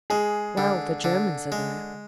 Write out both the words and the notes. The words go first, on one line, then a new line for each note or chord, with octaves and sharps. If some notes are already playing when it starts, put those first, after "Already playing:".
"Well; the Germans are there."
G#3 G#4
D3
D3
G#3